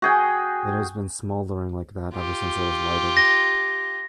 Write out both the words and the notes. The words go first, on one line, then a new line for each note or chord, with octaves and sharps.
It has been smouldering like that ever since it was lighted.
F#4 G#4 G5
F4 G4
A#6